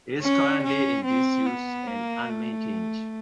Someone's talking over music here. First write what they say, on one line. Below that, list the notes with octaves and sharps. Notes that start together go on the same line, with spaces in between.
It is currently in disuse and unmaintained.
C#4
C#4
C4
B3
A#3
A3